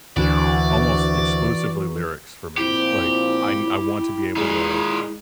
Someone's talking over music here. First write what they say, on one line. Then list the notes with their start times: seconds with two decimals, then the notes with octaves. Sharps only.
almost exclusively lyrics for me, like, I n I want to be able to
0.17 D2 E3 D4 F#4 D5
2.57 A#2 F3 C4 E4 G4
4.36 A#2 G#3 D#4